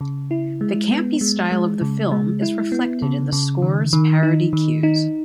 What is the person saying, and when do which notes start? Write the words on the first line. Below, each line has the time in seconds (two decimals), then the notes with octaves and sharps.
The campy style of the film is reflected in the score's parody cues.
0.01 C#3
0.31 E4
0.61 G#3
0.91 B3
1.21 G#3
1.52 G#3
1.81 C#3
2.11 G#3
2.42 E4
2.72 B3
3.02 C#3
3.32 C#3
3.62 D#3
3.93 D#3
4.23 D#4
4.53 D#3
4.83 D#4